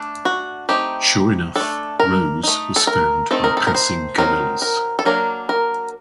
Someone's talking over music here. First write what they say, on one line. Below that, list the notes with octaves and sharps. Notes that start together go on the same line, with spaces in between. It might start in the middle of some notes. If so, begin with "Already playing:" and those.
Sure enough, Rose was found by passing guerrillas.
Already playing: A3 D4
F#4
A3 C4 D#4 G4
A3 D4 A4
A#4
A3 D#4
A4
A#4
D#3 A3 C4 D#4 A4
A#4
A4
A#4
C5
F#3 C4 D#4 A#4
A#4
A4
F#3 A#3 D4 A#4
A#4